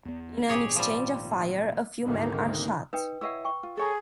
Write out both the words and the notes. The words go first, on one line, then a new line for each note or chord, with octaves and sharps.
In an exchange of fire, a few men are shot.
E2 B3
G#1 A#2 G4 G#4 C#5
F3 G3
G#1 D2 C3 D#3 A#3
D#4 B4 G5
E4 C#5 D#5 F#5 E6
G5 C#6
F4
G#4 A4 C#5 A#5